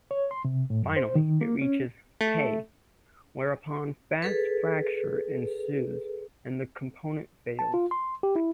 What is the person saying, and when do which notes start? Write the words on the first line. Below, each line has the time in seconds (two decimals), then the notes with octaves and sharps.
Finally it reaches "K", whereupon fast fracture ensues and the component fails.
0.11 C#5
0.31 C6
0.45 C3
0.70 A2
0.83 F#2
0.96 C5
1.15 D#3
1.41 A#3
1.62 C#4
2.21 A3
4.22 G#4 A4 B4
7.59 A5
7.74 F4
7.91 C6
8.23 G4
8.36 E4